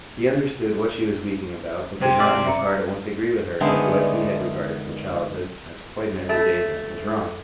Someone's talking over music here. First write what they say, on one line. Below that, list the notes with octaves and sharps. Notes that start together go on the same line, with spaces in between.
He understood what she was weeping about, but could not in his heart at once agree with her that what he had regarded from childhood as quite an everyday event was wrong.
C3 C5 G5 G#6
D5
E5 A#5 C#7
D3 D#3 G#3 A3 B3
A3